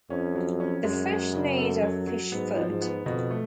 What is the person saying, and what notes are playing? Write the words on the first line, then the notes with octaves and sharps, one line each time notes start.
The fish need of fish food.
F2 C#4
F#3
C#4
F#2 G#3
G#3
C#3
A4
F#3
F#3
G#2 B3
F3
G#2
B3
F2 B2
A3